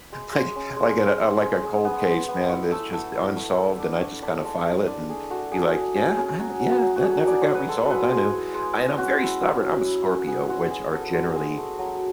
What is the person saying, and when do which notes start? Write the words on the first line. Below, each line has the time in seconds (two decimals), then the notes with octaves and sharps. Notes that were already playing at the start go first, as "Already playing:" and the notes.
it's like like at a like a cold case, man it's just unsolved, and I just kinda file it and be like, "Yeah, I yeah, that never got resolved I knew," and I'm very stubborn, I'm a Scorpio, which are generally
Already playing: B5
0.12 G#3
0.33 G#3
0.56 C#4
0.76 G#3
0.98 G#3
1.21 G#3
1.42 G#3
1.63 G#3
1.85 B3
2.07 G#3
2.28 B3
2.49 E4 C#6
2.71 A3 E6
2.92 A3 E6
3.14 E4
3.35 A3
3.58 A3
3.79 D4 D6
4.01 D4 C#6
4.22 D4 B5
4.44 G#3 A5
4.66 G#3 D5
4.87 D4 D5
5.09 A3 G#4
5.30 A3 F#4
5.52 A3 G#4
5.74 A3 G#4
5.95 C#4 G#4
6.17 C#4 G#4
6.39 F#3 F#4
6.60 F#3
6.71 F#4
6.82 F#3
6.96 F#4
7.03 A3 G#4
7.25 F#3 D5
7.41 F#3 C#5
7.54 B4
7.68 G#3 A4
7.90 G#3 B4
8.12 G#3 G#4
8.33 E4
8.55 G#3
8.77 G#3
8.98 C#4 F#4
9.20 E4
9.42 F#3
9.63 C#4
9.84 E4
10.06 C#4
10.27 B3 G#4
10.49 G#3 F#4
10.70 E4 G#4
10.92 B3 A4
11.14 G#3 F#4
11.35 G#3 G#4
11.58 A3
11.79 F#3